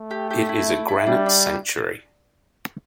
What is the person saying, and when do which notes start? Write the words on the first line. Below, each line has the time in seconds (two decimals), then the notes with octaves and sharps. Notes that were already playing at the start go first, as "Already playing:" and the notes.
It is a granite sanctuary.
Already playing: A3
0.11 G4
0.31 G4
0.49 E4
0.69 E4
0.88 E4
1.06 G3 D4
1.26 D4